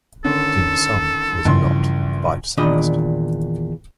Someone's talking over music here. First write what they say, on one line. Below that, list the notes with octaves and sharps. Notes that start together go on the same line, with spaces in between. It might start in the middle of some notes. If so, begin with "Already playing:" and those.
Dim Sum was not bite-sized.
G#1 D3 C#4 A4
A#1 G2 C#3 E3 C6
E2 A#2 D#3 D4 D#5 B5